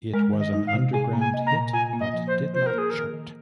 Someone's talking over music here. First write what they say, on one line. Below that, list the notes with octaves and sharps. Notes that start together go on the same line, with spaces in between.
It was an underground hit, but did not chart.
G#3 A#4
D#3
D#5
D#4
F5
C3
G#4 G#5
A#3
G#5
D#5
A#5
A#2
F4 G#5
A#3
D#5
F3
C5
F3
F4 C5
A#4
A#3 G#4
D#3 A#4
D#3